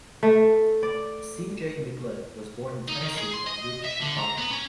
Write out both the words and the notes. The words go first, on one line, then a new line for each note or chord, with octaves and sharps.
C. J. McLin was born in Tennessee and moved to Chicago.
A3
D5
D#4
D#3
G#4
C6
D#5
E5
D3
A#5
B3
C#4